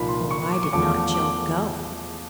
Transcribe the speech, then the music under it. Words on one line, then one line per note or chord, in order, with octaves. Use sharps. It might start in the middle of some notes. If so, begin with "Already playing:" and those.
Or why did not Job go?
Already playing: C2 A#2 F3 A#3 D#4 B5
C6
C#6
D6
C#6
E2 C#3 F3 A3 D6
D6